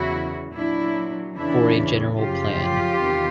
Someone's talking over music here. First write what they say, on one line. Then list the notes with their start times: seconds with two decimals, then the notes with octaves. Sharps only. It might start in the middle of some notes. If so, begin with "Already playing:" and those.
For a general plan.
Already playing: E2 C#3 F#3 E4 F#4
0.55 A#2 F#3 D4 E4
1.36 E2 C#3 E3 D4 E4
2.17 F#2 C#3 F3 F4 G4
2.99 E2 C3 D#3